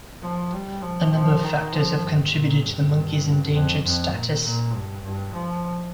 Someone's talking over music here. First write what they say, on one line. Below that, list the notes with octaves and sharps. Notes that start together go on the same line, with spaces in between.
A number of factors have contributed to the monkey's endangered status.
F3
G3
F3
F3
D#3
F3
G2
A#2
G2
F2
F2
A#2
A#2
G2
G2
F3